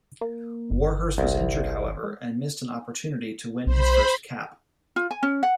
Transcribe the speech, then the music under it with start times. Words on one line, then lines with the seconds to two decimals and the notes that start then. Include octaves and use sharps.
Warhurst was injured, however, and missed an opportunity to win his first cap.
0.21 A#3
0.71 G1
1.18 C2
2.04 G#3
3.67 B1 C5 B5
4.96 F4
5.11 G#5
5.23 C#4
5.43 F#5